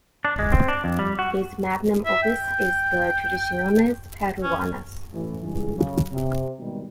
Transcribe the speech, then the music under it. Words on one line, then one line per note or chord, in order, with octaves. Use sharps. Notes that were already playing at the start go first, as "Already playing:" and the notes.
His magnum opus is the "Tradiciones peruanas".
D4
G#3
C4
D4
F2
G3
F#4
E5
G5
C#4
A1 E3
C#2 G2 E3 G#4
F#2 C#3
C3
G#1 G#2 B2 D#3 G3